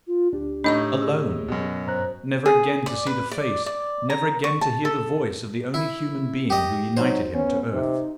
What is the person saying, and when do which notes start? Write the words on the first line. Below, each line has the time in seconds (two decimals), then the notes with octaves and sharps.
Alone!--never again to see the face, never again to hear the voice of the only human being who united him to earth!
0.07 F4
0.33 D2 D4 G4
0.64 A2 D4 D#4 D#5 A#5 C#6 G6
1.01 G#4 E6
1.48 F#2 B2
1.87 G2 C5 A#5 F#6
2.46 G#4
2.86 D5
3.07 B4
3.32 D5
3.66 D5
4.10 A#5
4.44 C#6
4.61 A5
4.85 A4
5.74 E4
6.50 G4 D#5
6.97 F#3 D#4 C5
7.34 B3 C#4
7.73 C3 D#4